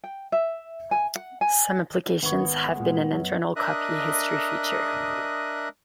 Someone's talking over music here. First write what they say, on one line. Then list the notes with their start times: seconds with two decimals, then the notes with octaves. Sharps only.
Some applications have an internal copy history feature.
0.04 G5
0.32 E5
0.91 G#5
1.16 F#5
1.41 G#5
2.23 G#1 B3 C#5
2.75 A#2 G#3
3.13 F#2
3.56 D4 A#4 D#5 E5 D#6 F#6